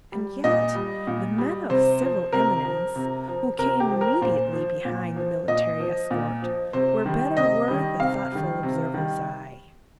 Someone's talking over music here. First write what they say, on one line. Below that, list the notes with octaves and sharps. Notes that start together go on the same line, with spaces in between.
And yet the men of civil eminence, who came immediately behind the military escort, were better worth a thoughtful observer's eye.
G3
A#2 D#5
G3
A#2
G3
C3 C5
F3
C3 A#4
F3
C3
F3
C3 A#4
G4
F3
A#4
A#2 C5
F3
A#2
F3
A#2 D#5
F3
A#2
F3
C3 C5
D#3 G3
C3 D#5
D#3 G3
C3 F5
D#3 G3
C3
D#3 G3